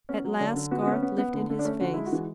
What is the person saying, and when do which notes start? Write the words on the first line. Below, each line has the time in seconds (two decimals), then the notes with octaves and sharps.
At last Garth lifted his face.
0.09 B3 C#4
0.25 F#3
0.40 D3 D4
0.56 D3
0.71 B3 F#4
0.82 F#4
0.87 B3
0.92 C#4
1.02 B3
1.18 B3
1.34 D3
1.50 D3
1.59 D4
1.65 A3 C#4
1.81 D3 F#4
1.94 G#3 E4
2.06 F#4
2.12 E3